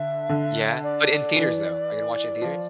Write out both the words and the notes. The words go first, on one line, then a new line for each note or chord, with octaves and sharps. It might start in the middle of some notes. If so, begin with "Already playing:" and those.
Yeah. But in theaters, though, are you gonna watch in theaters?
Already playing: D3 E5
D3
D5
E3
F3